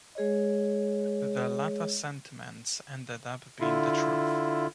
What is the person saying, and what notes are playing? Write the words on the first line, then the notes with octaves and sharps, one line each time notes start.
The latter sentiments ended up being the truth.
G#3 G#4 C#5 D#5
D3 E4 F4